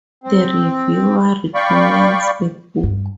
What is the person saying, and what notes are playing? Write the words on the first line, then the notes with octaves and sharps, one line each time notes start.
The reviewer recommends the book.
C4
D5 F5 G5 B5 C#6
G2